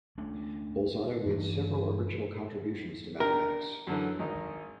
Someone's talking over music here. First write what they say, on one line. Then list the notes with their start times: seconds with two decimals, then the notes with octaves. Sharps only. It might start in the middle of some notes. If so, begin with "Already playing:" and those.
Bolzano made several original contributions to mathematics.
0.18 D2 A3 C#4 D4
1.26 G2 E3 D4
3.20 D4 G4 A#4
3.87 F#2 D3 E3
4.19 G#1 D#3 D#4